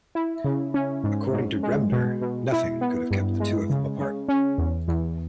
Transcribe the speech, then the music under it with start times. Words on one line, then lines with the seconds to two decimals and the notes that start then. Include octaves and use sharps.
According to Bremner, Nothing could have kept the two of them apart.
0.15 E4
0.44 C#3
0.74 C#4
1.04 G#2
1.33 G#2
1.63 G#3
1.92 B2
2.22 B2
2.52 E4
2.81 B3
3.11 G2
3.40 G#3
3.70 C#3
4.00 C#3
4.29 C#4
4.58 E2
4.88 E2